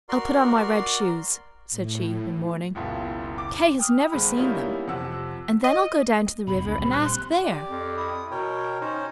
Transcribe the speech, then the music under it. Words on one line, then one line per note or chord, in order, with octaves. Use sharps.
"I'll put on my red shoes," said she, one morning; "Kay has never seen them, and then I'll go down to the river and ask there."
F#4 A#4 D5 C6
A2
F#1 C#2 B2 E4
D6
G5 D#6 F6
G#1 G#3 B5
G3 A#3 B3 C#4 D#4 E4
F2 C3 F#5 E6
D#5
F1 B2 B5
C#2 D4
A#1 G3 C4
F#6
C6
G4 D5
F2
E4 D#6
B2 A#4 C#5 G5
C#4 D#4 C5 C#5